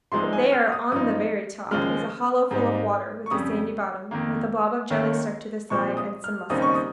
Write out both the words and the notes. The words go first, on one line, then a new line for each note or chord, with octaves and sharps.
But there, on the very top, is a hollow full of water, with a sandy bottom; with a blob of jelly stuck to the side, and some mussels.
C2 C3 F3 G#3 D#4 C6
G#5
F6
D#6
G2 F3 C4 D#4 D#6
D#2 C#3 F3 G#3 F6
G#2 G3 C4 D#4
C#6
F2 C#3 G3 D#6
F2 D#3 A#3
D#2 D#3 A#3 C#4
A#2 F3 G#3 C4 C#6
D#6
F6
D#2 C#3 G3 C4 D#4 D#6
C#6
D#6